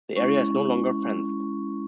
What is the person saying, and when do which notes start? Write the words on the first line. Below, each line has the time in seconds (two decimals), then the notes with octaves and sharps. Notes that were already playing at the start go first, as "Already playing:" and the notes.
The area is no longer fenced.
0.16 G#3 C#4 E4 C#6